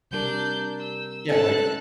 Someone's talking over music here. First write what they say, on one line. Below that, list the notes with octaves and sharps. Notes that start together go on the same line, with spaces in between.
yeah, like,
C3 G3 D4 A#4 G6
E6
C#4 A4 A5 F#6